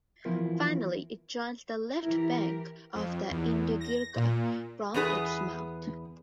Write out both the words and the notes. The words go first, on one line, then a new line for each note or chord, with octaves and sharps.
Finally it joins the left bank of the Indigirka from its mouth.
E3 F3 B3 E4 F4 A#4
E3 E4 G4 A#4
F2
E2
A#6
A#2
E2 B3 G#4 B4